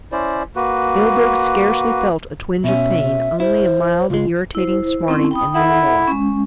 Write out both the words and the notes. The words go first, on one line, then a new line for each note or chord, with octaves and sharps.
Milburgh scarcely felt a twinge of pain, only a mild irritating smarting and no more.
C#4 E4 C5 D5
A#3 F#4 B4
B2 C#4 E5
E4 C5
C#2 G#3 F4
E4 C5
C4 C#4 E4
G5 B5 D#6
E4 A4 E5 F#5
G#3 C#4